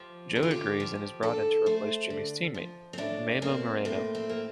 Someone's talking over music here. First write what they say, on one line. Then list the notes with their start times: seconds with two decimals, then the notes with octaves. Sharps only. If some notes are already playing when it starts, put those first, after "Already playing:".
Joe agrees and is brought in to replace Jimmy's teammate, Memo Moreno.
Already playing: F3 G4
0.35 D3 G4
0.43 F4
0.51 G4
0.80 F3
1.23 D3 A4
1.66 A3 C5
2.10 D3
2.54 F3
2.93 C4
2.98 A2 D4
3.42 A#3 C4
3.85 A2 C4
4.15 C4
4.29 A#3